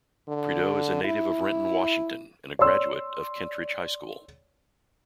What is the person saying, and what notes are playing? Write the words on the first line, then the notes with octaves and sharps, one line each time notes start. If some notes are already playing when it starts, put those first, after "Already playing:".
Prideaux is a native of Renton, Washington and a graduate of Kentridge High School.
D3
E4
C#5 D5 C6 E6